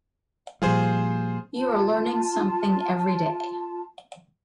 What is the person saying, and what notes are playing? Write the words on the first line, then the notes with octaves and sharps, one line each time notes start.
You are learning something every day.
A#2 F3 G3 F4 G#4 C5
F4 A5